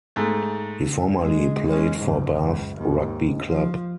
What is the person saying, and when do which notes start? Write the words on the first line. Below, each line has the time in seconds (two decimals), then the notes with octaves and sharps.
He formerly played for Bath Rugby club.
0.16 G#2 A3
1.22 G#3
1.66 G#3 C#4
2.00 F#1 G#2
2.40 F#1 C#2
2.77 D#2 G#2
3.48 F3